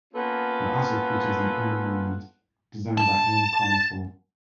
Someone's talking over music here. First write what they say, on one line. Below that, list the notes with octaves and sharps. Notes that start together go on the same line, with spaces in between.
It also features an urn monument designed by Helen Comerford.
A#3 B3 C#4 F4 A4 F#5
A5